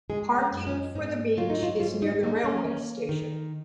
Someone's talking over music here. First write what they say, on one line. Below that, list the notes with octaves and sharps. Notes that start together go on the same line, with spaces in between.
Parking for the beach is near the railway station.
G#3 G#4
C#4
F#2
C#4
G#2 D#4
F#3 F4
D#4
F4
G#2 F4
D#4
A#3 D#4
C#4
A#3
D#3